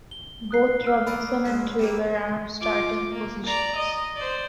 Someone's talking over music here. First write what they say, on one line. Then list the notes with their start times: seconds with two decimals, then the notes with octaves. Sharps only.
Both Robinson and Traylor earned starting positions.
0.11 G7
0.51 D#6 F#6 C7
0.87 E6 F6
1.07 D#3 D5 D#5 B5
1.45 B2 F#3 G#3
1.79 G3 A3 A#3
2.60 F4 D6
3.12 A#3
3.46 D5 A#5
3.76 D#5
4.16 C5 D5